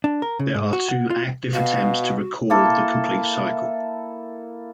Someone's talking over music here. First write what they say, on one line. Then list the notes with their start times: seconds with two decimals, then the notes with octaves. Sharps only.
There are two active attempts to record the complete cycle.
0.04 D4
0.22 A#4
0.39 C#3
0.55 G#2
0.73 F#4
0.89 F#5
1.10 F4
1.54 B2 F#4 F5
2.50 A#3 E4 A4